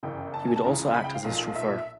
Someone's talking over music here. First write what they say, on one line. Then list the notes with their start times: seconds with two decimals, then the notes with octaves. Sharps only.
He would also act as his chauffeur.
0.03 G1 F#2 C#3 E3 G5
0.34 A5
0.47 G#5
0.56 A5
0.64 C#2 C#3 E3 A#5
0.94 B5
1.04 G5
1.15 F5
1.24 B1 A#2 F3
1.55 E5